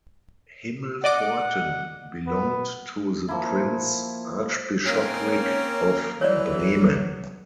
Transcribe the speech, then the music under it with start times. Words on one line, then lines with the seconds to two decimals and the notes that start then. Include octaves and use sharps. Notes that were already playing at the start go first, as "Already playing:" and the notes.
Himmelpforten belonged to the Prince-Archbishopric of Bremen.
1.04 D5 D#5 F#5 D6
2.27 B3
3.28 F3 A#3 E4
4.86 A#3 C4 C#4 A#4
6.21 E3 F#3 C#5 D5